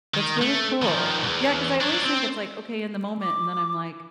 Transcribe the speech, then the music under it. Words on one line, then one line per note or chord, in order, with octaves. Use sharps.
that's really cool yeah, 'cause I always think it's, like, okay in the moment, and then I'm, like,
D#3
A3
D#3 F3
B1 E2
F#3 D4
C4
D6